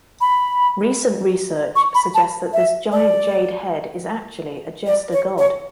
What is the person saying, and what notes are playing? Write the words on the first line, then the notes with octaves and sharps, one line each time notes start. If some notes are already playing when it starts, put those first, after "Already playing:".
Recent research suggests that this giant jade head is actually a Jester God.
B5
C#6
B5
A5
E5
D5
D5
C#5
C#5